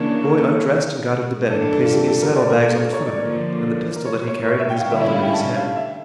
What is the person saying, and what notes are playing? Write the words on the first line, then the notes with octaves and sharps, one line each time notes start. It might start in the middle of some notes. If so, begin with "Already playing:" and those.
The boy undressed and got into bed, placing his saddle bags on the foot of it, and the pistol that he carried in his belt under his head.
Already playing: C#3 E3 A#3 D4 C#5
A#4
A4
A#4
G2 E3 A#3 D4 A4
A4
F4
G4
A4
A#4
D5
A#4
A4
C#5
D5
D3 F3 A#3
A#4
C#5
C#5
A#4
C#5
E5
G5
F5
G5
D3 G3 C#4 E4 E5
E5
F5
G5
A5
F5
E5